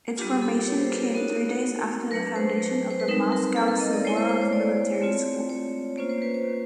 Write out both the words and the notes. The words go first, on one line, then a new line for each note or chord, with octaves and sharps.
Its formation came three days after the foundation of the Moscow Suvorov Military School.
G3 B3 D4 F4 G4
G#4
A4
A#4
C#5
C5
B4
A#4
B3 D#4 F#4 A#4
F#3 A3 D4 B4
C5
C5
B4
G3 C4 D#4 A#4
A#4
A4
A#4
D#5
D5
G#3 B3 E4 C#5
C5
C5
C#5
D5
A3 C4 F4
C#5
A#3 C#4 F4 C5
C5
B4
C5